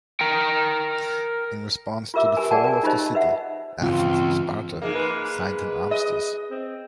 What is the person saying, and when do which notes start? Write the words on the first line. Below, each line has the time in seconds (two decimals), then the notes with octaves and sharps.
In response to the fall of the city, Athens and Sparta signed an armistice.
0.20 A#4 G5
2.14 F4 G4 A#4 E5 D6 E6
2.37 G4 A#4 B4 G#5
2.51 G#4 D5 F#5 G5 A5
2.64 A#4 G5 G#5
2.83 D#4 F4 G4 C5 D#5
3.15 B4 E5 F#5
3.82 C#2 G2 E3 C4 F4
4.82 G#2 G#3 A#3
4.95 B4
5.91 D#5
6.51 C4